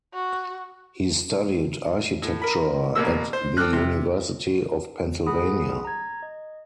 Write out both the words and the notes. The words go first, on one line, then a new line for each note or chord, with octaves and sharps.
He studied architecture at the University of Pennsylvania.
F#4
A2
A#4 B5
A1 B2 A#3 E6
C5
C4 A4 D6 F6 F#6
C3
G#4 F#5 B5 D#6
A#5 G#6
D#5